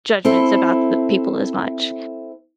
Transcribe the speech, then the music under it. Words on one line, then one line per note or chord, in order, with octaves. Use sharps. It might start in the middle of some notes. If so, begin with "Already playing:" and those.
judgments about the people as much.
C4 E4 A4